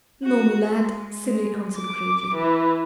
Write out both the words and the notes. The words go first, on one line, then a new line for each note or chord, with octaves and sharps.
"No, me lad," Cilley answered gravely.
F#4
G#3
G#3
D6
E3